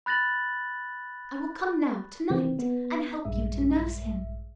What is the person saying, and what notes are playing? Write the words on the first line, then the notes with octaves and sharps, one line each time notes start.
I will come now, to-night, and help you to nurse him.
B5 F#6 A6 A#6 F#7
C3 D#3 E3 C4
B3
A#1 G2 G#3 E5